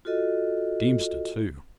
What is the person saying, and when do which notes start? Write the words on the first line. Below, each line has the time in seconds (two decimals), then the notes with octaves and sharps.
Deemster too!
0.05 F4 F#4 A4 D#5